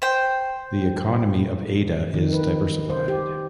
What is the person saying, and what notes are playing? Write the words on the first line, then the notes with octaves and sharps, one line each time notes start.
The economy of Ada is diversified.
C5 G5
D#3
B4
C5
G4